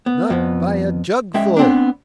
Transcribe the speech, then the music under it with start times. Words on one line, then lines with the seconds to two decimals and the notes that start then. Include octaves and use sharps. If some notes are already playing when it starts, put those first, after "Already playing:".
"Not by a jugfull!"
0.06 B3
0.30 F2 B3
1.34 G#3 C#4 E5 G5
1.57 B3 C4 D4